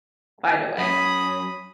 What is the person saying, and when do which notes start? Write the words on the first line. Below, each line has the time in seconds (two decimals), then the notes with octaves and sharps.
find a way.
0.78 F#3 C#4 B5 D#6